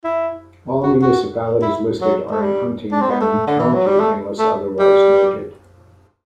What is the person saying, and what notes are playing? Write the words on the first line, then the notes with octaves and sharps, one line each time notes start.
All municipalities listed are in Huntingdon County unless otherwise noted.
E4
F#4
F#4
E4
F#3
A3
G3
D4
C4
B3
A3
D3
E3
F#3
G3
A3
A3
G3